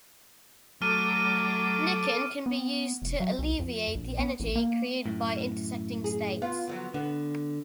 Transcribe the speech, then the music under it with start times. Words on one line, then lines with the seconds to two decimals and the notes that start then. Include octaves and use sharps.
Nicking can be used to alleviate the energy created by intersecting states.
0.82 F#3 A3 A4 D6 F6 D#7
2.46 B3
3.02 F1
3.20 F#3
3.39 B1
3.59 F2
3.95 A#1
4.19 B3
4.40 A1
4.56 A#3
5.06 F#2 A2
6.04 G#4
6.42 B3 F4
6.67 D3 F3 F#3
6.94 D3 B3